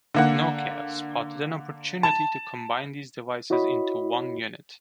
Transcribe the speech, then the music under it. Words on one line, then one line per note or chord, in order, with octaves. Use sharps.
Nokia spotted an opportunity to combine these devices into one unit.
D3 A#3 F#5
A5
E4 F#4 C#5 D#5 B5